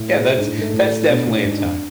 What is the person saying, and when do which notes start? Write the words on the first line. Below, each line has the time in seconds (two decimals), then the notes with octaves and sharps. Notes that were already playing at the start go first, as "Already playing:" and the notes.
Yeah, that's that's definitely a time.
Already playing: A2
0.14 G#3
0.37 G#2 D4
0.48 A2
0.59 G#2 A3
0.74 A2
0.86 A3
1.09 B2 D4
1.28 A2
1.34 D4
1.45 G#2
1.57 D4
1.64 F2